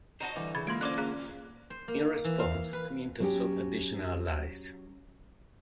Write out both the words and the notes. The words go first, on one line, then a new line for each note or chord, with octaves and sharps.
In response, Amyntas sought additional allies.
D#4 F#4 C5 C#5 D#5 A5
D3 E3 G3
C#3 B5 G#6 A6
G#3 A#3 F4 C6 G#6 D7
D3 A#3 C#4 C5 D5 D6 F#6
G#4 A#4 F5 F#6
C5
A#3
E3
F5
B4
F#3 C#4 G4